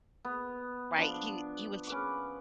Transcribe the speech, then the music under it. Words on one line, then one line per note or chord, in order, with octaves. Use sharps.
right? He he was
B3
F3 D4
C#4 B4 D6